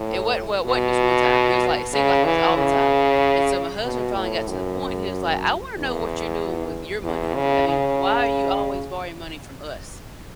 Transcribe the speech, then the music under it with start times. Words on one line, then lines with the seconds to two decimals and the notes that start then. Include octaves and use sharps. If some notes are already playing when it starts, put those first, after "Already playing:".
it wasn't well, it wasn't just one time, it was like it seemed like it was all the time, and so my husband finally got to the point, and he was like, "I wanna know what you're doing with your money, I mean, why are you always borrowing money from us?"
Already playing: A2
0.66 B2
1.93 C#3
2.25 E3
2.57 C#3
3.85 B2
4.16 A2
4.48 F#2
5.76 E2
7.04 E2
7.35 C#3
7.68 C#3